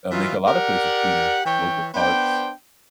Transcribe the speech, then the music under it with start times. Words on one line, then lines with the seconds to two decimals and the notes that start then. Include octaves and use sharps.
uh, make a lot of places cleaner, local parks,
0.12 E3 F#3 D#4 F4
0.46 G4 A#4 D5 F#5
1.45 E3 C#5 G5
1.94 B3 D4 C5 G5